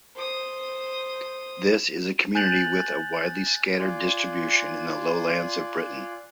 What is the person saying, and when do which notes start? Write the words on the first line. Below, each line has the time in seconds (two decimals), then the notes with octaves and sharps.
This is a community with a widely scattered distribution in the lowlands of Britain.
0.15 C5 D#6
2.35 G#5 F#6 G6 A6 F7 F#7
3.79 F4 D5 G#5 C6 F#6